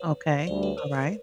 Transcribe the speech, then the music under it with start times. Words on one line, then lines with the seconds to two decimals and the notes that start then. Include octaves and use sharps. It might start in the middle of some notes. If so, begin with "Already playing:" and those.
Okay, alright.
Already playing: B4 C#5
0.47 D2 D3 G3 C5 D5
0.63 B4 C#5
0.78 A#4 C5